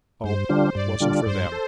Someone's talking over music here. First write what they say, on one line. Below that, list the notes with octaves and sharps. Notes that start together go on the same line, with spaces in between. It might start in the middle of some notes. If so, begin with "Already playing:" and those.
No, it wasn't for them.
G2 C5
D3 G3 D4 F4
G2 D5
D3 G3 D4 F4
G2 C5
A4